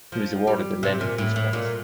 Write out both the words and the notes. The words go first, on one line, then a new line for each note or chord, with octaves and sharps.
He was awarded the Lenin Peace Prize.
F3
G3
C3
A#2
A2
A2
A#2